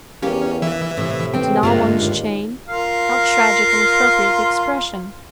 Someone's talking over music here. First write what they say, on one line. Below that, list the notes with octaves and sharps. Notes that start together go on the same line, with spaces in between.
To gnaw one's chain--how tragic and appropriate the expression!
E2 A#3 C#4 G4
E3 E5
A2 C3
E3 C4 G5
G2 D3 G#3 A3 F4
D#2
F4 A#4 F5